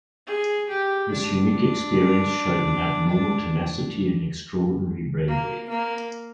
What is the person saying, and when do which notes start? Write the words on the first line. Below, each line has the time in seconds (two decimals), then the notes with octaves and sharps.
This unique experience showed an abnormal tenacity and extraordinary bravery.
0.27 G#4
0.69 G4
1.11 D4
5.28 A#3
5.69 A#3